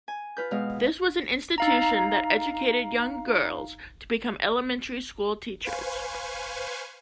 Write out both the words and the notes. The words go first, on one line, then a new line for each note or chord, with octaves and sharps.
This was an institution that educated young girls to become elementary school teachers.
G#5
F4 B4 G6
B2 G#3 F5
D#4 F5 A#5
B4 C5 F5 G#5 C#6